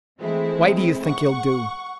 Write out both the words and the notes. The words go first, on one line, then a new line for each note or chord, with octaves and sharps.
"Why do you think he'll do?"
E3 G#3 A3 C4 E4
F#5 C#6